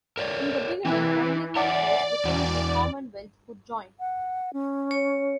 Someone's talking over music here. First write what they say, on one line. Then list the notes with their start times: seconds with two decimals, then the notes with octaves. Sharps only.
In the beginning, only countries within the commonwealth could join.
0.17 A#4 C#5 D5
0.85 E3 C4 E4
1.56 C#5 D5 E5 F#5
2.25 E2 F#4
4.00 F#5
4.53 C#4
4.91 C#5